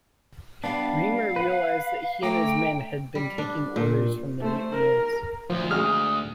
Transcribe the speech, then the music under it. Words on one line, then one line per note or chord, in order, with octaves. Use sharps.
Remer realised that he and his men had been taking orders from the mutineers.
G3 B3 D4 F5
B4 F#5
A3 G5 A#5 D6
G3
D4
A#2
A3 C5
A#4
D2 F3
G#3 F#4 D#6 F6